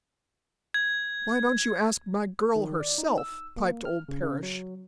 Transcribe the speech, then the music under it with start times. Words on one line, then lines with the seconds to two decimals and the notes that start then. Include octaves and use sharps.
"Why don't you ask my girl herself?" piped old Parrish.
0.74 G#6
2.56 D#3
2.80 D5
2.98 D#4
3.18 E6
3.57 A#3
3.85 F6
4.09 C#3
4.23 C#3
4.43 F#3